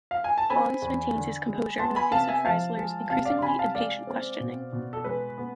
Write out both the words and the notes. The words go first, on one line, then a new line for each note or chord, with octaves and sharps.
Hans maintains his composure in the face of Freisler's increasingly impatient questioning.
F5
G#5
A5
C4 G#5 B5
E2
D3
G#3
B3 A5 C6
G#5 B5
C3 F5 A5
E5 G#5
F3 F5 A5
G#3
C3 F5 A5
D5 F5
C6
C3 G#5 B5
F5 A5
G#3 D5 F5
C4
B2
B2
A4
G#3 B4
B3